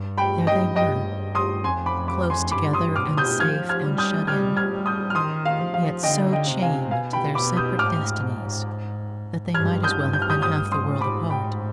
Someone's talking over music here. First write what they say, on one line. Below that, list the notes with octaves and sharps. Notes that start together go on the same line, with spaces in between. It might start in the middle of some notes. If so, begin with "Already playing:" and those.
There they were, close together and safe and shut in; yet so chained to their separate destinies that they might as well have been half the world apart.
Already playing: G2
G5 B5
D#5 G5
G2 D#5 G5
C6 D#6
F2 G#5 C6
B5 D6
B5 D6
G#5 C6
G2 B5 D6
C6 D#6
B2 D6 F6
D#6 G6
F3 F6 G#6
F6 G#6
G3
D#6 G6
G3 F6 G#6
F6 G#6
G3
D#6 G6
F6
D#3 C6 D#6
F5
F3
F5
D3 D#5 G5
D#5 G5
C3
F5 G#5
B2 F5 G#5
G5 B5
B2 B5 D6
D#6 G6
G#2 D6 F6
G2 F6 G#6
D#6 G6
G2
G6
F6
D#6 G6
G2 D#6 G6
C6 D#6
G#2
B5 D6
G5 B5